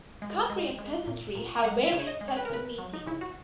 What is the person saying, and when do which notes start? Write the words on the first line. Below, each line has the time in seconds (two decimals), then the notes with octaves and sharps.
Cumbrian peasantry have various festive meetings.
0.22 G#3
0.50 G#3
0.78 G#3
1.07 A#2
1.35 A#2
1.58 G#5
1.64 G#3 F#5
1.86 E5
1.93 C#3
1.99 C#5
2.07 D#5
2.21 G#3
2.28 C#5
2.37 B4
2.45 A#4
2.50 C#3 B4
2.78 F#3
2.94 D#4
3.06 C#3 E4
3.21 F#4